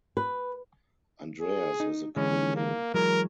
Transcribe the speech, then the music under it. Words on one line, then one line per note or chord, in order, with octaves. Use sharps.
Andreas is a common name.
B4
G#4
D#4
D3 E3 G#3 C#4
A#3
E3 F#3 G#3 A#4